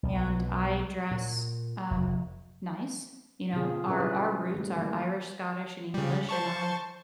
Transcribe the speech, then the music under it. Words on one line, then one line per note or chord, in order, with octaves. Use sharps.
and I dress, um, nice. You know, our our roots are Irish, Scottish, and English, and I
B1
A#2
F1
B2 D3 C4 F4 G#4
F4
G3 C#4 G#4 B4 D5 E5
E4 F#4 B4
D#3 G3 A3
D#3 A#3 E4
C#3 G3
C5 A5 C#6